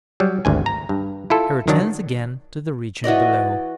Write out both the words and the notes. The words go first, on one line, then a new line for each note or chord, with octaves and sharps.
He returns again to the region below.
F#3 G3
G#1 D2 G#5
A#5
G2
E4 F4 A4
D#3 F#3 D4
E3 F#4 D5 D#5